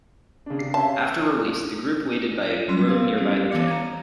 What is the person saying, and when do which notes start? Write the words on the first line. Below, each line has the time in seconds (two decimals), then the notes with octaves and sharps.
After release, the group waited by a road nearby the jail.
0.46 C#3 D4
0.59 C3 C7
0.74 C#4 E5 F5 A5
2.50 F4
2.68 F#3 G3 C#4 C6
2.88 B3 A#4 F5 G#6
3.18 G3 C#4 G4
3.51 E3 B3 F5 D6 C#7
3.67 A#5 G#6